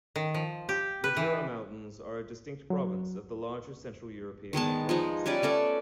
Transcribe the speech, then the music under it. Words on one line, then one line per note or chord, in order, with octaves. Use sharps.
The Jura Mountains are a distinct province of the larger Central European uplands.
D#3
F3
G4
B4
E3
F#3
D#3 G#3 B3 A5
F3 G#3 D#4
G3 C#4 B4 D5
A3 C#4 A4 D5